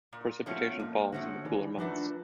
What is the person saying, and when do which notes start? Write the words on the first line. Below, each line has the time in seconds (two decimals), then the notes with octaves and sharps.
Precipitation falls in the cooler months.
0.13 A#2
0.46 F3 A3 C#4 F#4
0.57 B3
0.79 A#2 A#3
1.12 D3 F3 A3 C#4 D4 F#4
1.45 D#3 E3 D#4
1.78 F3 A3 D4 F4 F#4 B4